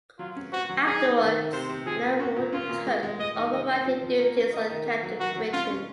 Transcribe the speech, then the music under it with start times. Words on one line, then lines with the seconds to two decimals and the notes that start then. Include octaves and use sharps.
Afterwards, Alan Moore took over writing duties on "Captain Britain".
0.19 F#3 F4
0.36 C#4
0.53 F#4 C5
0.69 F#3
0.86 D#4 G#4
1.03 D#4
1.19 D#3
1.36 D#3
1.53 C3 C5
1.69 C3
1.86 F3 G#4
2.02 A#3
2.20 C#4 F#4
2.36 A#2
2.53 C#4 F4
2.69 A#2
2.86 G#3
3.03 G#3
3.19 G#3 D#5
3.36 D#4
3.52 C3 D#5
3.70 C4
3.86 F3
4.03 F3
4.20 A#3
4.36 C#4
4.53 A#3 D#5
4.69 D#3
4.86 A#3
5.03 F#3
5.20 F#3 F#4
5.36 F#3
5.53 C#4 F4
5.70 C#4